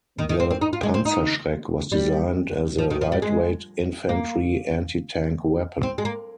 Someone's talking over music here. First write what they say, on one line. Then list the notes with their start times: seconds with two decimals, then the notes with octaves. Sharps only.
The Panzerschreck was designed as a lightweight infantry anti-tank weapon.
0.18 D#3
0.29 D#3
0.40 C4
0.51 C4
0.61 D#4
0.73 F4
0.83 G#3
0.94 C4
1.05 D#4
1.92 G3
2.78 F3
2.90 D#3
3.01 F3
3.12 G3
3.22 G#3
4.09 A#3
5.83 C4
5.98 G#3
6.05 A#3